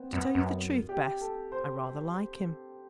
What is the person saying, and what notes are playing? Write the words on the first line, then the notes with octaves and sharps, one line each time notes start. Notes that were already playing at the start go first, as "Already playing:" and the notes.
To tell you the truth, Bess, I--rather like him.
Already playing: B3 C4
F#2 B3
F#2 B3
G4
A4
C5